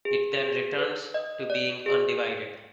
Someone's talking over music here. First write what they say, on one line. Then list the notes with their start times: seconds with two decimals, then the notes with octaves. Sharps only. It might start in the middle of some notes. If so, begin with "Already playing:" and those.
It then returns to being undivided.
0.05 G#4
0.41 G#4
0.78 B4
1.14 D#5
1.50 D5
1.86 G#4